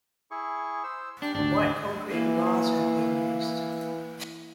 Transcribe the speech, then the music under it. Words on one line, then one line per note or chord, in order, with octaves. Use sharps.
White concrete and glass have been used.
E4 G#4 C#6
C5 E6
D4 G4
G#1 D2 D4
E3 A#3